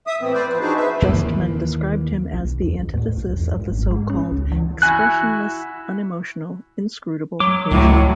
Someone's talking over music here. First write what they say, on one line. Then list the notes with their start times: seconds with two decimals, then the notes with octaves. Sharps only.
Justman described him as the antithesis of the so-called expressionless-unemotional-inscrutable Asian.
0.07 E5 D#6
0.21 A2 E3 B3 C4
0.33 B4 C5 D5
0.48 F3 B4
0.60 D4 D#4 F#4 G#4 B4 C5
0.76 B4 E5
1.02 D#2 E3 A#3
2.34 B1
2.62 E2
2.74 D#2
2.94 A2
3.18 B1
3.33 E2
3.52 G#2
3.72 G#1
3.91 G#3
4.10 C#4
4.32 C#2
4.52 E3
4.82 E4 F#4 G#5 F#6
7.40 F#3 D6
7.71 C#2 A2 F#3